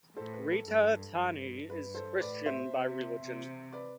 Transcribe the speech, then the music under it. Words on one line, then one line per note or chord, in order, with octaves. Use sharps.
Rita Tani is Christian by religion.
A2 A4 C5
B4
A4
G2 A4
G2
G2 B4
A4 C5
A2 B4 D5
C5 E5
C3
C3
B4 D5